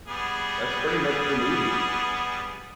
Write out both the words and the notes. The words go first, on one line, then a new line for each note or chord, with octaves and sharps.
that's pretty much the movie.
G3 B3 G#4